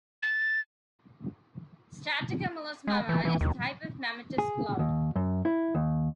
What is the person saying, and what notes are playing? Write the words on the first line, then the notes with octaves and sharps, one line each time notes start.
Stratocumulus Mamma is a type of mammatus cloud.
A6
G#3
E3
E3
D#2
G#4
D#2
F#2
E4
D#2